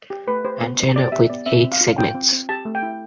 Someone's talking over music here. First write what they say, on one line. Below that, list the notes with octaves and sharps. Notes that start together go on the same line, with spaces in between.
Antenna with eight segments.
G4
A3 B4
G4 C5
B3
E4
B3 D5
G4 E5
B3 D5
C4 E5
C4
F5
F4
F4 G5
C4
C4
G4 A5
A3
G5
E4